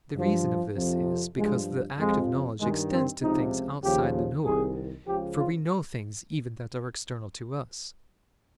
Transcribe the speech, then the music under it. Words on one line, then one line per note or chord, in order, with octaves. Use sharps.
The reason of this is, because the act of knowledge extends to things outside the knower: for we know things even that are external to us.
G2 F3
F2 C3 F3
G2 F3 G#3
F2 C3 F3 G#3
G2 D#3 G#3
C4
C#2 C3 F3 D#4
D#2 C#3 F3 G4
C2 C3 D#3 G#4
C#2 C#3 F3 G4
F4